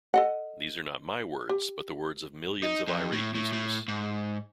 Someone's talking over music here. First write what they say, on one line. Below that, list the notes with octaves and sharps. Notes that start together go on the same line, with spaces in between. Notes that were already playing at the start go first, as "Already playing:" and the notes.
These are not my words, but the words of millions of irate users.
A4 D#5 F#5
G4
D#4
F2
A2
A2
A2
G#2